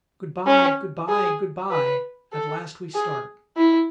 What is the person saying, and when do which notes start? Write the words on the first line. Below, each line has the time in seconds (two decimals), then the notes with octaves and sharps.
"Good-by; good-by; good-by!" At last we start.
0.47 C#4
1.09 G#4
1.70 B4
2.33 A4
2.95 G#4
3.57 E4